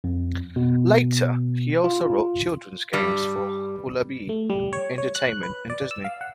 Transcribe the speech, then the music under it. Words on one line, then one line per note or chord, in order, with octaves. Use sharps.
Later he also wrote children's games for Hulabee Entertainment and Disney.
F2
B2
F4
G2 G3
A3
G3
C#5
C#5
F#6
B4
D5
E6
F5
F#5